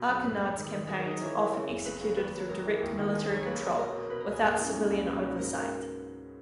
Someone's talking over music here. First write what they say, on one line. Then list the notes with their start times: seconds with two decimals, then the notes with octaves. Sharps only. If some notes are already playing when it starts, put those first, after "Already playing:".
Archinard's campaigns were often executed through direct military control, without civilian oversight.
Already playing: B2
0.08 B1
0.25 G#2 B4
0.41 G#2
0.57 D#3
0.73 D#3
0.88 F#4 G#4
0.99 A#4
1.05 D#4
1.10 A#4
1.21 E3 C#5
1.37 E3
1.53 C#3
1.70 F#1
1.85 F#1 B4
2.01 C#3
2.17 D#2 B4
2.34 F#3
2.49 G#1 A#4
2.66 E3
2.82 D#2
2.97 D#3
3.14 G#3 G#4
3.25 G#4
3.30 B1 C#5
3.46 A#3 B4
3.62 C#4
3.78 B2 A#4
3.94 B2
4.10 B2 B4
4.20 A#4
4.26 C#2
4.32 G#4
4.43 G#2 A#3
4.53 E3 A#3
4.64 C#4
4.75 C#2 D#4
4.91 C#2
5.06 B2 B4
5.23 F#3
5.39 G#2 A#4